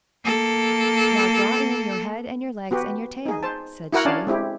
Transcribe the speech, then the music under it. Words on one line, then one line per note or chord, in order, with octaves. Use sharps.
'Now draw in your head and your legs and your tail,' said she.
A#3 A4
B3 F#4 G4 B4
D#4 G#4
C5 A5
E4 F#4 A#4 F#5
C#4 D4 D5 F5 G#5 A5
G#3 C4 E4 G4